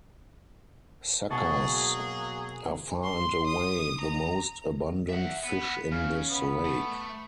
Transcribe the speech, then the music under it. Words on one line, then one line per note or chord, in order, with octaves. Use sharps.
Suckers are far and away the most abundant fish in this lake.
B2 F#3 A#3 G#4 A5 C#6
C6
D#6
A#5
E5 F#5
B3
C#3 F5
B3
A3